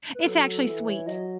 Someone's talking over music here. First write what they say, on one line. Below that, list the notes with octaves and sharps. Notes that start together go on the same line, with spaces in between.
It's actually sweet.
B4
F#3 A4
A4
A4
E3 A4
C#5
F#3 D#5